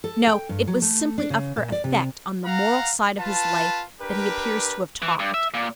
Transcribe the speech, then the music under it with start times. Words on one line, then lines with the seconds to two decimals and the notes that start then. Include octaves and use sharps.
No, it was simply of her effect on the moral side of his life that he appears to have talked.
0.04 A4
0.27 G5
0.49 G2
0.67 F#3
0.82 A3
1.18 D4
1.30 C#3
1.56 A#2
1.72 D5
1.84 C3
2.45 F5 F#5 A#5
3.20 F4 B4 A5
4.00 D4 G4 A#4 B4
5.02 E3
5.19 G2
5.34 E5
5.54 A#2